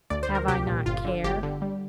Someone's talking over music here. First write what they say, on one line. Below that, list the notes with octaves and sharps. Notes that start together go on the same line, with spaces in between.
Have I not care?
D2 D5
C5
D2
A#4
C2 G4
A#2
G1 F4
D3
G1 G4
D3
G3